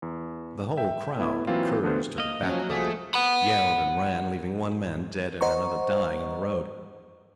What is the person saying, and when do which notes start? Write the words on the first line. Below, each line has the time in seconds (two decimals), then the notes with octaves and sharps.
The whole crowd--curs to the backbone--yelled and ran; leaving one man dead, and another dying in the road.
0.02 E2
0.77 E5 G5
1.17 A2 B3 E4
1.47 E3 F#3 A#3 C4 F4
1.83 D3 A3 B3 B4 C5
2.18 A#3 D#5
2.43 F3 F#3 C#4
2.69 F3 A3 F#4 G#4
3.14 F#5 B5
5.41 C5 D#5 F#5 A#5 C#6